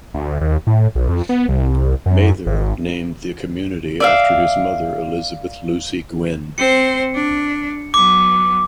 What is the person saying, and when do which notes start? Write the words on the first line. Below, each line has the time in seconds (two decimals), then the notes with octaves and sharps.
Mather named the community after his mother Elizabeth Lucy Gwinn.
0.14 D2
0.41 D#2
0.67 A2
0.95 B1
1.09 F2
1.29 B3
1.49 C2
2.06 F#2
2.47 G#1
4.00 D5 E5 F5
6.58 C4 C5 C#7
7.14 D4
7.94 F#3 B3 D6